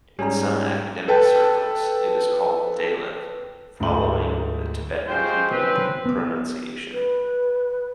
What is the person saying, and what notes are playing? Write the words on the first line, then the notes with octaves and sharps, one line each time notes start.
In some academic circles, it is called "daleth", following the Tiberian Hebrew pronunciation.
G#2 G3 C#4 G#4 A#5
A4 B4 G5 A5
D2 G#2 G#3 A3 F4 F#7
F3 G#3 F#4 G4 C5
F#2 C4 B4
B3
B4